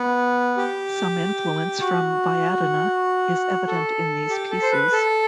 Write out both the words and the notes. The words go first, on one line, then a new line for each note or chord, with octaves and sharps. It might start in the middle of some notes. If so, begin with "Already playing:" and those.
Some influence from Viadana is evident in these pieces.
Already playing: B3
G4
F#4
A4
G4
A4
C5
B4
A4